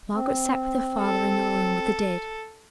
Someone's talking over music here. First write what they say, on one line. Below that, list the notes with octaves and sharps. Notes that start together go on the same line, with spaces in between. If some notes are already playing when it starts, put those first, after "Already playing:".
Margaret sate with her father in the room with the dead.
C4
A4